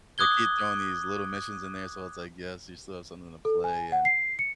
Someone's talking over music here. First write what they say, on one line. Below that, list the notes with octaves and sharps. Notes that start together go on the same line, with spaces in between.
they keep throwing these little missions in there, so it's, like, yes, you still have something to play and
D6 D#6 F#6 G#6 G7
A4
G#5
F#5
C7
C#7